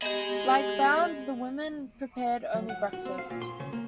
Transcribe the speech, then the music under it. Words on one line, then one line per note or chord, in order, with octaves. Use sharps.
Like Bounds, the woman prepared only breakfast.
B3 G4 G#4 D#5
F#3
F#5
F#4
C4
F5
A#2
C6
C#3
A#3